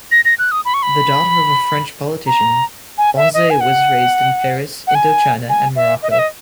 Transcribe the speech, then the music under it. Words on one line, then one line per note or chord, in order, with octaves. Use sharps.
The daughter of a French politician, Banzet was raised in Paris, Indochina, and Morocco.
A#6
A#6
F#6
D#6
B5
C#6
B5
A#5
G#5
E5
D#5
G#5
F#5
F#5
G#5
G#5
E5
D#5
E5
D#5